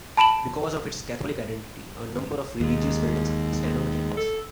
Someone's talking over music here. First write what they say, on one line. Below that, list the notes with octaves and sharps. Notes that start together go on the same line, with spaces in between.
Because of its Catholic identity, a number of religious buildings stand on campus.
A5 B5 D7 E7 F#7
D#2 G#3
A4